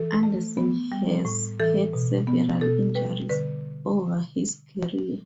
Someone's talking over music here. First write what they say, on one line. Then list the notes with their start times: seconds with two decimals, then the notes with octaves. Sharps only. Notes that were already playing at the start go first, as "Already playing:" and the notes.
Anderson has had several injuries over his career.
Already playing: E3 A4
0.23 A3
0.57 B3
0.92 G3
1.25 A2
1.60 E3 A4
1.93 B2
2.27 B3
2.61 B2 A4
2.95 G3 B4
3.29 D3 B4